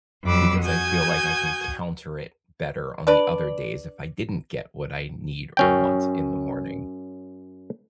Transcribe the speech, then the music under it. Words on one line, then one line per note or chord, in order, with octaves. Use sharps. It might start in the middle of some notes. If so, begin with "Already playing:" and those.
because I feel like I can counter it better on the other days if I didn't get what I need or want in the morning.
F2 F#3 B5 D6 E6
F#4 G#5 D#6 G6 G#6
D4 B4 D5
F#2 C#4 G5